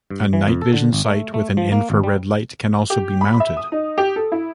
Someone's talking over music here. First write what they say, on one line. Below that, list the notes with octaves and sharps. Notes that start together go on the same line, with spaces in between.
A night vision sight with an infra red light can also be mounted.
G2
E3
F2
A4
D3
G#1
A3
A3
F3
A#3
G#1
G3
G4
B5
E5
D#6
D#4
G4
A4
E4